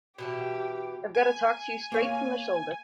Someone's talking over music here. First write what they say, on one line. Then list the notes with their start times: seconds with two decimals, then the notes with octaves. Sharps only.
I've got to talk to you straight from the shoulder.
0.18 B2 E3 G4 A5
1.15 G#5
1.92 A#3 C#5 F5